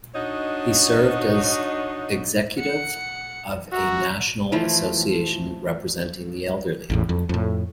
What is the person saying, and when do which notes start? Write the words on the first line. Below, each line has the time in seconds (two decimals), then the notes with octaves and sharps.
He served as executive of a national association representing the elderly.
0.14 D4 D#4 F#4 C#5 D#5
2.59 F#5 C#7
3.72 F#4 E5 A#5
4.52 E3 F3 A3 F4
6.90 A1 E2 A2
7.09 F2
7.29 F2 A2